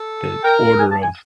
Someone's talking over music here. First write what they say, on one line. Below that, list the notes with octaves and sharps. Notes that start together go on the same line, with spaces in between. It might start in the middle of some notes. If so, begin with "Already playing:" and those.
the order of
Already playing: A4
A#4 G5
G#5
A5
G#5